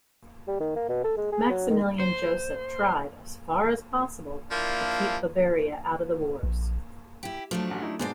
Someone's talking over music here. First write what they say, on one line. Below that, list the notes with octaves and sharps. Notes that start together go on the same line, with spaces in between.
Maximilian Joseph tried, as far as possible, to keep Bavaria out of the wars.
G3
D#3
A#3
B2
A4
G#3
G#4
F#3
D#3
C5
F3 A#3 D4 E4
A#1
E4 G4
F3 F#3 A3 D4
A1 F#5
D#4 E4
G#2 B2 G#3 D4 C5 D5